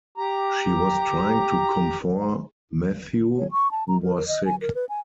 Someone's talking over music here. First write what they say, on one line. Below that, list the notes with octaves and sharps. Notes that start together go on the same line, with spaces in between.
She was trying to comfort Mathieu, who was sick.
G4 A#5
C#5
C#6
A5
A#5
A#4
A#4
D#5
G#5
A#4
B4
G#5